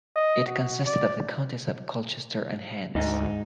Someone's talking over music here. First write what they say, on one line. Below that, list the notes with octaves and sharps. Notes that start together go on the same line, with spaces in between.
It consisted of the counties of Colchester and Hants.
D#5
F#4
D5
D2 G#2 D#4